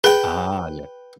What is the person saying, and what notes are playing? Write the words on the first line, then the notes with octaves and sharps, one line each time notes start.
Ah, yeah.
G#4 B4 G5